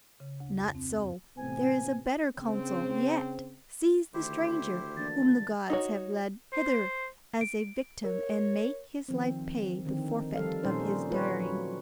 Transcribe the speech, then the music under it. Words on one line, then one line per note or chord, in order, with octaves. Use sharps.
Not so, there is a better counsel yet; seize the stranger whom the gods have led hither as a victim and make his life pay the forfeit of his daring.
C#3
D2
F2
C4
F#2
A1 C3 B3 C4 G#5
C#3 C4
D2 D#3 E4 G4 C5
E3 A#3 D4 A6
D#4 F#4 C#5
C5
D7
A#4 C#5
D#3 F3 C4
D3 D#3 C4
F3 G3 A4 F5
A#2 G3 C#4 D#4 C5
F4 B4 C#5
F#3